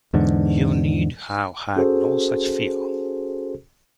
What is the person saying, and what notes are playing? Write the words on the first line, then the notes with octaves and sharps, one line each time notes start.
You need have had no such fear.
E2 G#2 D3
C#4 F#4 G#4 A4 C5